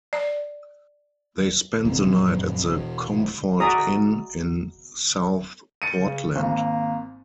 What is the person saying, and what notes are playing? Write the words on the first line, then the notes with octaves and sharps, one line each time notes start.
They spent the night at the Comfort Inn in South Portland.
D5
D#1 E2 C3
A#1 F#2
E1 E2 B2
F#4 G#4 D5 E5 A#5 D#6
A6 C#7 D#7
C#3
G#1 A#3